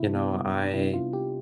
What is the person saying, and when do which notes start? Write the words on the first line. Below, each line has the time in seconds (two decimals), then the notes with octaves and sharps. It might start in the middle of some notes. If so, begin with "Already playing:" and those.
you know, I
Already playing: C3 E4
0.14 B3
0.34 G3
0.53 C3
0.64 D4
0.74 C3 E4
0.94 B3 F4
1.13 C3 G4